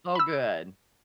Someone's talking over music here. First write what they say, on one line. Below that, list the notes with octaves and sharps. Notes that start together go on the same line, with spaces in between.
Oh, good.
B5 E6